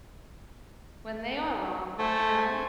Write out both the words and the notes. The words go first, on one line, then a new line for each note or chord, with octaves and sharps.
when they are wrong, you know?
A3 C5 G#5 A5